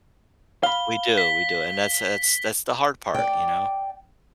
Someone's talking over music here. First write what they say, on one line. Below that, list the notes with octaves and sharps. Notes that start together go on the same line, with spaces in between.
We do, we do and that's that's that's the hard part, you know,
F5 B5 G7
B6
D5 G5